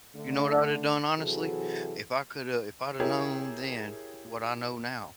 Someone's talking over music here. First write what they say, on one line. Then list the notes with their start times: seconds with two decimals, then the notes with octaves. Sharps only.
You know what I would've done, honestly? If I coulda if I'd have known then what I know now,
0.16 D3 A3
1.18 C3 E3 F#3 F#4 G#4 A4
3.00 E4 G4 G#4 A#4 C#5